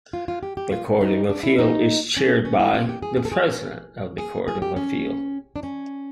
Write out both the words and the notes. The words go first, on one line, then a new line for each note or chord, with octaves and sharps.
The Court of Appeal is chaired by the President of the Court of Appeal.
F4
F4
G4
G4
F4
D#4
D4
E4
D#4
C#4
C#4
E4
F4
G4
G#4
G#4
A4
G#4
G#4
G#4
G4
C#4
D4
C#4